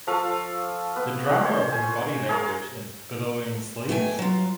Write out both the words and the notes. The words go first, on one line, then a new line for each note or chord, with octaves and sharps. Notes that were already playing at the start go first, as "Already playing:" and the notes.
The drama of her body language in billowing sleeves?
F3 A4 F5 C#6
B3
F#5
C5 C#5
G#5
G#4 A#4 C#5 F5
B2 A3 G5 G#5
F#3 F4